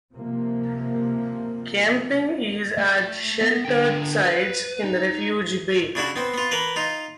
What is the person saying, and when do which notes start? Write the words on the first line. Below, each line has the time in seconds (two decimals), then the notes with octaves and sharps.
Camping is at sheltered sites in Refuge Bay.
0.12 C3 F3 A#3
2.78 A3
3.41 B3
3.65 D3 G5
4.22 B4
4.84 D#4
5.95 C#3 D4 E4 F#4
6.16 B3 C4
6.34 B3 F4
6.51 E3 A#4 B4
6.76 D#4 F4